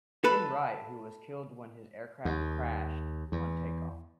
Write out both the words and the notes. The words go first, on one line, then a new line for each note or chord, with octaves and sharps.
N Wright who was killed when his aircraft crashed on takeoff.
A4 B4
D#2
E2